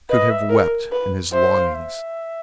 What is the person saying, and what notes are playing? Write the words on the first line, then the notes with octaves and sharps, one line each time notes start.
He could have wept in his longings.
B4 D#5
E5
A#4
B4
C5 E5
F5
E5